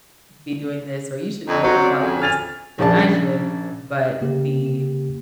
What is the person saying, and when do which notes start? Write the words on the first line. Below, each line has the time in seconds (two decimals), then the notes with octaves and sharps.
be doing this or you should know more about this than I should," but the
1.48 F2 D#4
1.63 F#3 C4 C#4 F#4
1.83 D5
2.00 F2 G#4
2.22 G#5 F6 A6 F7
2.79 A#1 C#3 D4 A5
4.21 C#3 A#3 G4